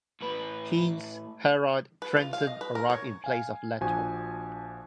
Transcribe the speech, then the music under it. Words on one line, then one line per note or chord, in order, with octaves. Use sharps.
Heinz-Harald Frentzen arrived in place of Lehto.
A2 B4
B4
F4
F5
D#5
B4
A#4
C#5
F5 G#5
A#1 F3 D4 F#4 G#5